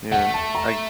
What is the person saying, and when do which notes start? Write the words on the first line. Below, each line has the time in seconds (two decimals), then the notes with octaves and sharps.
Yeah, I
0.12 A3 F#5
0.34 A5
0.55 A#5